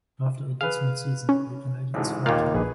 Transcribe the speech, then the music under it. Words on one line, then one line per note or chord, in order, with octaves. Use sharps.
After a dismal season, the Canadiens fired him.
G#4 B4 F5
C#4
A1 D2 G#2
D#2 A#2 F5
A#1 G#4 B4